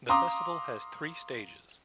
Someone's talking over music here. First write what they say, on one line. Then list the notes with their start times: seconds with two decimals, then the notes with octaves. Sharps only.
The festival has three stages.
0.09 F5 A#5 C6 D6 D#6